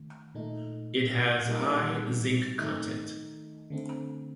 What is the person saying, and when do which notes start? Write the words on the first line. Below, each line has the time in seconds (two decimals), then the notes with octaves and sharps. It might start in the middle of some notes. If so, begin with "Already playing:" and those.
It has high zinc content.
Already playing: D#3 A3
0.35 A#2 A3 D#4
1.46 A#2 G3 A#3 D#4
2.58 D#3 A3 D#4
3.70 D3 A3 C4